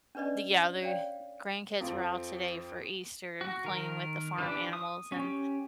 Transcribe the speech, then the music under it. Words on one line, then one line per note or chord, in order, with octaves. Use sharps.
the Yeah, their grandkids were out today for Easter, playing with the farm animals, and
C#4 D4 B4 D5 D#5
C#5 D5 F5 G5
F2 F3 C4
F#4
D#3 A#4
E3 D4 G4
D#6
C#4 G4